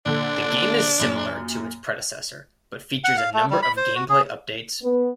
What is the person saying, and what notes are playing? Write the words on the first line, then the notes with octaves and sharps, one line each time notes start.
The game is similar to its predecessor, but features a number of gameplay updates.
A#2 D3 D4 A4
F#2 A#2
F#5
F5
A3
G3
B5
C5
F#4
G#4
B3